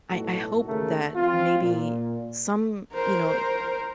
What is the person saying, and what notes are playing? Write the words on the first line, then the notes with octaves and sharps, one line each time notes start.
I I hope that maybe some, you know,
B1 A2 D#4 F#4 A4
D#2 C#3 A3 A4 A#4
F3 C4 F4
A#2
A#4 C5